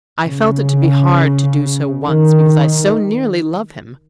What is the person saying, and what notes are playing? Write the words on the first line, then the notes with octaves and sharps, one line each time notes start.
I felt it to be hard to do so once, because I so nearly love him!
C#3
D#3